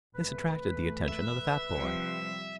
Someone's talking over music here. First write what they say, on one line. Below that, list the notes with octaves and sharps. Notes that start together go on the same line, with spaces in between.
This attracted the attention of the fat boy.
F1 A3 B4
F2 E3 A3
E5
C3 F3 G3